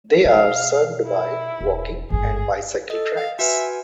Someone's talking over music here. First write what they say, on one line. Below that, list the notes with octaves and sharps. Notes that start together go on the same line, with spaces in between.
They are served by walking and bicycle tracks.
B2 F5
E4
E1
G1 G#2 G#4
A4 D#5
F5
F#4 B4 E5 G#5